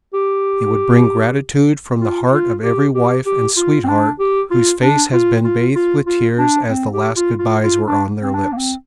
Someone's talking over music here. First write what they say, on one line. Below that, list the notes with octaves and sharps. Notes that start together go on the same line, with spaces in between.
It would bring gratitude from the heart of every wife and sweetheart whose face has been bathed with tears as the last good-bys were on their lips.
G4
F4
F4
G4
G4
G4
F4
C4
D4
G4
F4
D4
F4
F4
F4
F4
D4
C4
G4
F4
F4
F4
D4
C4
D4
A#3
C4